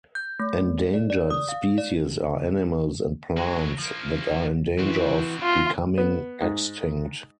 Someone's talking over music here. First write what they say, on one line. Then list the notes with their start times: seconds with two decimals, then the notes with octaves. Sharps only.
Endangered species are animals and plants that are in danger of becoming extinct.
0.15 G6
0.39 A3
0.94 D5
1.10 D5
1.30 D#6
1.49 F5
1.78 D5
3.37 F#3 G#3
3.78 F3 A#3
4.79 E3 C4 F#4
5.43 F4
5.98 B3
6.41 G#2